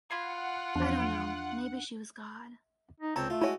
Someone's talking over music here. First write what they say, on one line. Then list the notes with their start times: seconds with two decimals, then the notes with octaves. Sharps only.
I don't know, maybe she was God.
0.11 F4 F#5 B5 G#6 C7
0.75 E2 F3 D4
3.00 D#4
3.16 C#2 C4 C#5 A5 A#5
3.30 A3 F4
3.42 G#3 C#4 E4 F#4 C#5 D#7